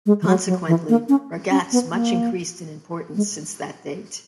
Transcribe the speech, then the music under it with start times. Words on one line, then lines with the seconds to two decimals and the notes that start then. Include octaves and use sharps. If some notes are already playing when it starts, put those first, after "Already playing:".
Consequently Ragatz much increased in importance since that date.
0.06 G#3
0.22 E3
0.27 F#3
0.47 F#3
0.67 E3
0.89 A#3
1.09 C#4
1.51 C#4
1.72 B3
1.92 A#3
3.16 G#3